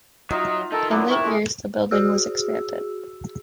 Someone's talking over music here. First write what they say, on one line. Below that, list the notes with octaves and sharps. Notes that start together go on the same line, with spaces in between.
In later years, the building was expanded.
F#3 D#4 F4 D#5 E5
D#4 A4 A#4 A5
F#2 A#3 B3 D4 E4
C4 E4 A#4 C#6
G#3 A3 G#4
F#4 G#4 E6